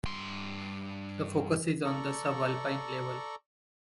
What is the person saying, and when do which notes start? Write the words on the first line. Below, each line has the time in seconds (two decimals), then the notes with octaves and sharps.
The focus is on the subalpine level.
0.06 G2 C6
1.85 A4 D5 A#5 C#6